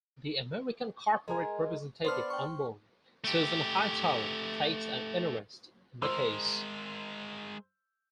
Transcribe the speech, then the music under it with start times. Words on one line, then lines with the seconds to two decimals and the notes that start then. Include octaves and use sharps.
The American corporate representative on board, Susan Hightower, takes an interest in the case.
1.28 G#3 A#4 G#5
2.05 B3 D4 C5 C6 F6
2.30 G5 C#6
3.24 A3 G4
6.02 G#3 A#4 C5 C6 E6